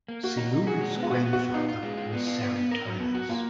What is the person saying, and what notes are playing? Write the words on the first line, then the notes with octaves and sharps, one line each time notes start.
Xilouris' grandfather was Psarantonis.
A#3
A#3 F#4
D#4
D#4
F#4 G#4
G#3
B3
F4
B3 F#4
B3
F#4
B3
D#4 F4
F4
G#3
F4
B3
F4
B3
B3
A#4
F#3
B3
F#4
A#3 F4